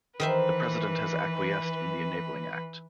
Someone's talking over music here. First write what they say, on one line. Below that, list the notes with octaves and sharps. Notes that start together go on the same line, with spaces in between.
The President has acquiesced in the Enabling Act.
D#3 E3 B4 C5 E5